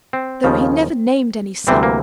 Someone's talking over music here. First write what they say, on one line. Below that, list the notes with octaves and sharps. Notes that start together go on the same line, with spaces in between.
Though he never named any sum.
C4
D#2 C#3 F3
D2 C3 E3 G3 C4
A#3